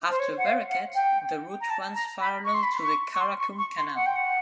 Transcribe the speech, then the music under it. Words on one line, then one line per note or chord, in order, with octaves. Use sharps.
After Bereket, the route runs parallel to the Karakum Canal.
C5
C#5
F#5
F5
F#5
G5
A#5
A5
A#5
B5
C#6
C6
B5
C6
C#6
C#6
C6
C#6
C#6
C6
F#5
G5
F#5